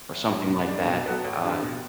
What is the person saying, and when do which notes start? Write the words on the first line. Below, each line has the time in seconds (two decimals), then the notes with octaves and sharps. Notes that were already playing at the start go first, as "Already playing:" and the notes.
or something like that. Uh,
0.09 F#1
0.28 F#2 F#3
0.47 B2
0.67 G3 D4
0.86 B2
1.06 F#3 B3 F#4 A4
1.24 A1
1.43 G2 D3
1.63 B2